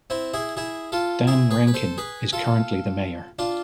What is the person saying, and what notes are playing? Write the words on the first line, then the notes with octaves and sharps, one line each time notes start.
Dan Rankin is currently the mayor.
C4 E4
E4 G#4
E4 G#4
F4 A4
E4 G#4
G#4 B4
B4
A4 C5
G#4 B4
F4 A4
D4 F4